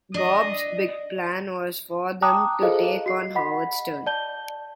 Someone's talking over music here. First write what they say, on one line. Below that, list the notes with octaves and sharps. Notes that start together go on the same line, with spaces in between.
Bob's big plan was for them to take on Howard Stern.
D4 D#5
G5 A5 A#5 D6 D#6 F#6
F4 G#4 A4 C5 D#5 F5
F#4 C7
D#5 F#5 B5 B6
D5 A5 G6 G7